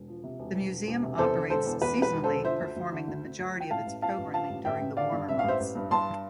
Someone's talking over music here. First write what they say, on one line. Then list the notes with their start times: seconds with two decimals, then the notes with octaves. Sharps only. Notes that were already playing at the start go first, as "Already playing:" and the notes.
The Museum operates seasonally, performing the majority of its programming during the warmer months.
Already playing: E1
0.08 F3
0.23 C3
0.39 E1
0.55 E1
0.71 E1
0.87 E1
1.02 C3
1.18 E2 A4 C5
1.34 D3
1.50 E1 A4 C5
1.66 E2
1.81 E2 B4
1.97 E1
2.02 B4
2.13 E1
2.24 A4 C5
2.29 D3
2.45 F3 C5 E5
2.60 D2
2.76 D2
2.92 D3
3.07 D2
3.23 D2
3.39 D2
3.55 F3
3.60 G5
3.71 A2 F5 A5
3.87 A1
4.02 F3 F5 A5
4.18 A1
4.33 F3 F5 A5
4.50 A1
4.65 A1 E5 G5
4.81 A1
4.97 D3 D5 F5
5.13 G2
5.28 A1 E5
5.39 F5
5.44 A1 C5 E5
5.60 A1
5.75 G2
5.91 G2 A5 C6